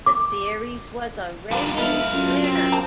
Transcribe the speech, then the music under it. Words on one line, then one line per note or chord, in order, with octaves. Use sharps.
The series was a ratings winner.
D6
F3 G3 D4 F4 A#4
E1 A4 B4 E5 F5
F#2 F4
C4
A#3 C5 A5 A#5